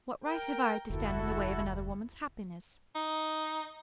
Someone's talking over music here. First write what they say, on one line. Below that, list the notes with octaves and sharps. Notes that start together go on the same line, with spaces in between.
What right have I to stand in the way of another woman's happiness?
A#4 G5
F1 D2 E4 F#4 A4
D#4